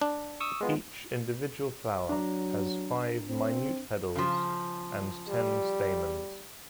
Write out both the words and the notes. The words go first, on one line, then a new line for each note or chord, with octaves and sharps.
Each individual flower has five minute pedals and ten stamens.
D4
C#6 D#6 E6
G#3 B3 F4
F#3 D4 A#5
C4
C#3 F3
G3